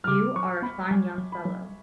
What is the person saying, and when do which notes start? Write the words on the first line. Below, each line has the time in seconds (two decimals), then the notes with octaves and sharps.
You are a fine young fellow.
0.04 F6
0.07 C#3 D6
0.36 F#3 C#6
0.62 B3 B5
0.91 F#3 G#5
1.18 F#3
1.32 B5
1.45 F#3